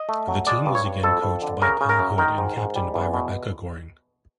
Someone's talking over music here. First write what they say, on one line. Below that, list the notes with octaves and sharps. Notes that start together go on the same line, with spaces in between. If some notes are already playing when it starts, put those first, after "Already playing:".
The team was again coached by Paul Hood and captained by Rebecca Goring.
Already playing: D#5
A3
F#3
G#3 D5
G2
C#5
G2
F2 A4
F2
D3
C#3 A#4
C#3
A#4
F#2
D#3 A#4
G#2
G#2
G3
E2
B2